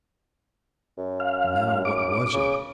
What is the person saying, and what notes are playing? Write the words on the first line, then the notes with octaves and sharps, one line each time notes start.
"Now, what was it?"
F#2
F5
D6
C#3